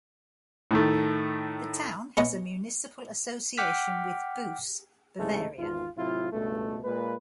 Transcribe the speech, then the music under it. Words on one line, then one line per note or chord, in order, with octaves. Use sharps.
The town has a municipal association with Boos, Bavaria.
A2 D#3 A3
B3 C#4 D#5
F#5 G5 D6 F6 B6
C2 G#2 C#3 E3 G#3 A3
G#1 E2 F4
A2 C3 F#3 E4 F4
C#2 G2 B2 A3
A#2 G#3 A#3 B4